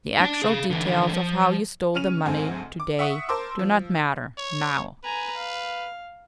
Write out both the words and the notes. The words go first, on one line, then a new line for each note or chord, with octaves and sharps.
The actual details of how you stole the money to-day do not matter--NOW.
D4 A5
G#4 F5
D3 E3
F3
C#3 C#4 F6 D#7 F7
D2 G#2 C4 A4 G#5
D6
E5 F#5 C#6 D#6
A#4 C5 A5 C6 D6 E6
F3
C#5
B4 G#5 A#5
F5